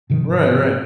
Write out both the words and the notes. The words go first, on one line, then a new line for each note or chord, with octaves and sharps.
Right, right.
G#2 C3 D#3 F3